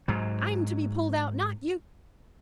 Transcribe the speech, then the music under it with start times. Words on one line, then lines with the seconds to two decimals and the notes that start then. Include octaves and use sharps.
'I'm to be pulled out, not you.
0.08 G#2 F#3